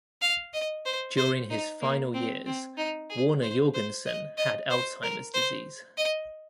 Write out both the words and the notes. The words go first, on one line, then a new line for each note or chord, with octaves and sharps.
During his final years, Warner Jorgenson had Alzheimer's disease.
F5
D#5
C5
C5
D#4
A#3
C4
C4
D#4
G#4
C5
C5
D#5
D#5
C5
A#4
C5
D#5